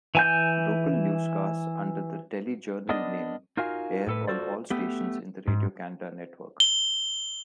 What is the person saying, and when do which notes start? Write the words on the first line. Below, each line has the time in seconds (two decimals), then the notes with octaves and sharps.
Local newscasts under the "Téléjournal" name air on all stations in the Radio-Canada network.
0.15 E3 G#5 G6
2.89 B3 D4 A#4 D5 D#5
3.57 D#4 F4 F#4 A#4 F5 G#5
4.07 A2 A4 B4
4.28 F4 F#4 A4 C5 D5
4.70 A3 B3 G4
5.48 G#2
6.60 G7